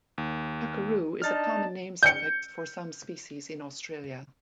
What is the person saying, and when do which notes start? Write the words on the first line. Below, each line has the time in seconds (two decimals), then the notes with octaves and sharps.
Tuckeroo is a common name suffix for some species in Australia.
0.18 D#2
1.22 D4 D#4 A5 F6 A6
2.03 G6 C#7